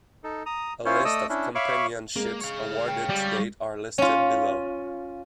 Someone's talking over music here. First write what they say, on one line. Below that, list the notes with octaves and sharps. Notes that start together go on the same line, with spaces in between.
A list of companionships awarded to date are listed below.
D#4 A4
A#5 D#6
C#4 E4 F4 C5 C#5
A3 A4 D5 D#5 D#6 E6
C#4 D4 E4
C#5 E5 F5 B5 C#6 D6
G#3 A#3
C#5 F5
G5
G3
C#4 F4